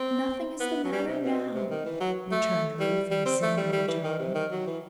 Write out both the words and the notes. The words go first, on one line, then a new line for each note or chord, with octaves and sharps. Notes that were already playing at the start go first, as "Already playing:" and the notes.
"Nothing is the matter now," returned Ruth, in the same low tone.
Already playing: C4
B3
F#3
G3
C3
B2
C3
D#3
E3
F#3
A3
G3
G3
C4
A3
G3
G3
E3
D#3
C3
D#3
F#3
E3